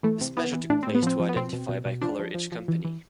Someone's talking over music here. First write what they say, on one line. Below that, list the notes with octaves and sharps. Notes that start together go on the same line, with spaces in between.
This measure took place to identify by color each company.
E3 A3
C3
E3 B3
E3
A2 D4
A2 C4
B3
F3 C4
F3
B3
B2 C4
B2
B2
B2
F3 D4
F3
F3
F3
E3
E3